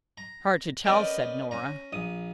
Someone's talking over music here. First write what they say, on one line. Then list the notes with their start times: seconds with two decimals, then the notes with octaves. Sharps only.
"Hard to tell," said Nora.
0.18 A#5
0.85 B3 C#4 A#4 D5 D#5 G5
1.51 C#4 A#5
1.93 A#1 D#6